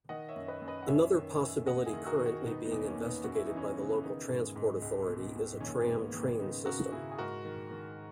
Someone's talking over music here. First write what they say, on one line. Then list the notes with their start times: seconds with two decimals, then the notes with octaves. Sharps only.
Another possibility currently being investigated by the local transport authority is a tram-train system.
0.09 D#3 D#5 F#5
0.29 C#5 E5
0.36 F#2
0.48 B4 D#5
0.62 F#2
0.68 B4 D#5
0.82 F#5
0.88 F#2 C#5 E5
1.14 D#3
1.41 F#2
1.66 D#2 D#5 F#5
1.86 E4 G#4
1.93 D#3
2.06 F#4 A#4
2.19 D#3
2.26 D#4 F#4
2.46 B2 B3 D#4
2.65 B3 D#4
2.72 E2
2.84 A#3 C#4
2.98 E2
3.05 B3 D#4
3.24 F#2 F#4
3.35 E4
3.46 E3 D#4
3.57 C#4 E4
3.77 C#3
4.03 D#3 B3 D#4
4.29 G#2
4.56 G#2
4.82 C#2
5.08 B2
5.35 B2
5.60 D#3 A#3 C#4
5.81 B3
5.87 G#2
6.00 A#3
6.14 D#3
6.20 B3
6.39 C#3 B3 D#4
6.65 C#3 F#4 A#4
6.92 C#3 E4 G#4
7.11 G#4
7.18 G#2 F#4 A#4
7.45 D#3
7.71 D#3